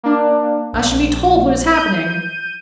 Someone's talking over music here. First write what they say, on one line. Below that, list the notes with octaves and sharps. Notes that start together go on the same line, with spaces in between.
"I should be told what is happening."
A#3 D4
A#1
G6 D#7